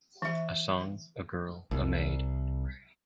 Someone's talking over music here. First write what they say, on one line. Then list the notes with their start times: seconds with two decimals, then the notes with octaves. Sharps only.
A song, a girl, a maid.
0.22 E3 E5
1.71 C2